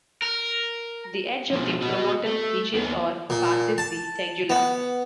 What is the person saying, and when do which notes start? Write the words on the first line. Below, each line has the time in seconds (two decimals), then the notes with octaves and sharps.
The edge of the pronotum reaches or passes the tegula.
0.22 A#4
1.53 B2 F3
1.82 F#4 D#5
2.26 A3
2.73 D#2 B3
3.30 A#2
3.78 A5
4.50 B3